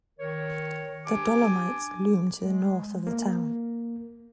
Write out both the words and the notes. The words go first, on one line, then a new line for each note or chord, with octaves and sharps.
The Dolomites loom to the north of the town.
D#3 A#4 C#5
D4 G4 G#5 A5 D6
G#3
A#3